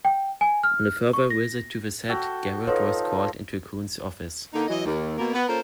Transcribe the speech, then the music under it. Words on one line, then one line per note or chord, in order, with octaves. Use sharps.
On a further visit to the set, Gerrold was called into Coon's office.
G5
G#5
F6
C#6
A#6
F#4 A4 G5
F3 D#4 A4 B4 C#5
D3 A#3 D#4
E3 F#3 D#5
D#2
B2 A#3
B3
A#3 C#4 F4 A4 A#4 C5